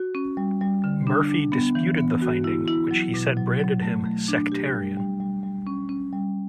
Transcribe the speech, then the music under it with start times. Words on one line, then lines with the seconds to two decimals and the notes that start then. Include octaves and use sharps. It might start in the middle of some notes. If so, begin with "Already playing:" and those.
Murphy disputed the finding which he said branded him "sectarian".
Already playing: F#4
0.15 C#4
0.37 G3
0.61 G3
0.84 D3
1.07 D4
1.29 D4
1.52 B3
1.75 E3
1.98 B3
2.22 F#4
2.44 E4
2.68 E4
2.91 F#3
3.14 B2
3.37 F#3
3.59 F#3
3.82 A3
4.05 A3
4.28 D4
4.52 G4
4.75 G3
4.97 G3
5.20 G3
5.43 G3
5.67 C#4
5.89 C#4
6.13 G3